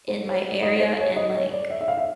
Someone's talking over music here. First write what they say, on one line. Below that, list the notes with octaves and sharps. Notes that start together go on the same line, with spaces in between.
in my area, and, like,
C5
C#5
D#5
C5
C#5
D#5
C#5
D5
E5
E5
F5
E5